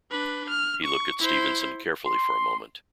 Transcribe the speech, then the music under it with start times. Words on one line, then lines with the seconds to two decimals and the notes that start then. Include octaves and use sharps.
He looked at Stevenson carefully for a moment.
0.11 D4 B4
0.50 F6
0.84 C#6
1.19 E4 C5
2.05 C6